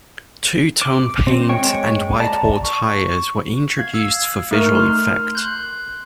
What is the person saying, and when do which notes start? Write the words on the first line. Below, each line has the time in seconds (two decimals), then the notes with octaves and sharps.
Twotone paint and white-wall tyres were introduced for visual effect.
0.82 D6
1.27 C4
1.49 G#3 C#5 G5 C#6
2.20 D5 A5 A#5
2.63 C#6
3.77 F5 G#6
3.94 F5 E6
4.51 A3 D#4 A#4 C#6 F6
4.75 C6 F6
5.35 C6 F#6 G6